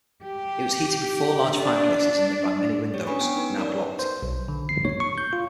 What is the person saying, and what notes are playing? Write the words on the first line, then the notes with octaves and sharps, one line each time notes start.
It was heated with four large fireplaces and lit by many windows, now blocked.
G4
D4
D4 G4 C#5
C#4 G4 B4 G#5 B5 C#6
B3 G5 D7
D#4 B4
A#4 B4 C#5 D5
C5
B1
D3
C7
C#5
C#6
G6
F4